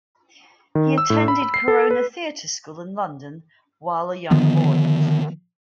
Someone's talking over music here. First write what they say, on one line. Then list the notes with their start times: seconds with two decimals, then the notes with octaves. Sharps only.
He attended Corona Theatre School in London while a young boy.
0.75 D#3
0.98 E6
1.10 A2
1.28 B5
1.42 B5
1.54 C7
1.68 A4
1.91 B4
4.31 D3 D#3 F3 B3